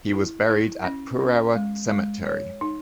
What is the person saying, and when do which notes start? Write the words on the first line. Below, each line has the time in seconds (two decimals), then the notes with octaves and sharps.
He was buried at Purewa Cemetery.
0.14 E4
0.50 E4
0.84 C#4
1.20 C#4
1.55 G#3
1.90 G#3
2.26 C#5
2.61 D#4